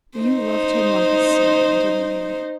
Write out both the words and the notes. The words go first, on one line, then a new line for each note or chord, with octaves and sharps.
You loved him like a son; didn't you?
D#4 C5